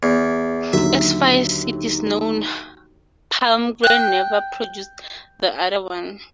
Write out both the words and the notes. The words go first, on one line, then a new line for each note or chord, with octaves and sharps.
As far as it is known, Palmgren never produced the other one.
E2
D#2 D3 F#3 E5
G5 F#6